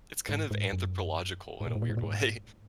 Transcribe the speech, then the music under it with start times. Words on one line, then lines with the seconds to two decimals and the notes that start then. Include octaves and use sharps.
It's kind of anthropological in a weird way.
0.29 G#2
0.51 G#2
0.73 F#2
1.61 G#2
1.67 A#2
1.75 G#2
1.82 A#2
1.90 G#2
1.97 A#2
2.03 G#2